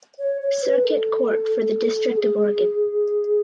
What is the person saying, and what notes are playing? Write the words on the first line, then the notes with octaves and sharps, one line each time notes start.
Circuit Court for the District of Oregon.
C#5
C#5
B4
A4
G#4